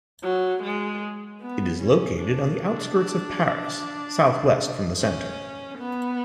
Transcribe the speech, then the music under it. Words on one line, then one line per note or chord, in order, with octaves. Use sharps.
It is located on the outskirts of Paris, southwest from the centre.
F#3
G#3
B3
C#4
D4
D4
C#4
B3